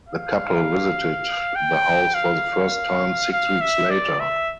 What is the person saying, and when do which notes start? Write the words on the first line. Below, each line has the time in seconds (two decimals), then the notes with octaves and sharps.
The couple visited the house for the first time six weeks later.
0.09 F5
1.55 G5
2.14 F5
3.32 F5
3.61 E5
3.91 D5
4.20 E5